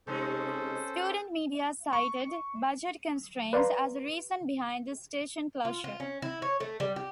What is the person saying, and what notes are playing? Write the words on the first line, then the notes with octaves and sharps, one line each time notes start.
Student Media cited budget constraints as the reason behind the station closure.
C3 G#3 C#4 D#4 A4 C5
C#6
B4 D5 F5 A#5 C6
F4
F4
C#4
E4
C#5
A3
G3
G4